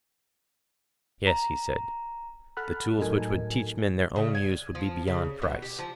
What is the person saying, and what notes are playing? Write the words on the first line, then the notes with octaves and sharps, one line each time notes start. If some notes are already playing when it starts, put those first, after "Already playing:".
Yes, he said, the tools which would teach men their own use would be beyond price.
A#5
A4 F#5 A5 B5 F6 F#6
A2 F#3 D#4 A4 A#4 G#5
C#3
G#5
F3
C#3
B2
G4
F3